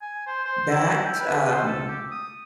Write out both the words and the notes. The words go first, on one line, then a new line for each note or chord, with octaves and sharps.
that, um,
G#5
C5
C5
E4
G5
B4
C5
A4
G4
D#6